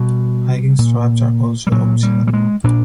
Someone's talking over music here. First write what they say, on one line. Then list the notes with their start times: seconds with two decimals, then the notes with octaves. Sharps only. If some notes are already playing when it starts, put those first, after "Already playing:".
Hiking straps are also optional.
Already playing: B2 G3
0.79 A#2
1.67 G3
1.71 A#2 F#3
2.03 G3
2.27 G3
2.33 G#3
2.64 A#2 D4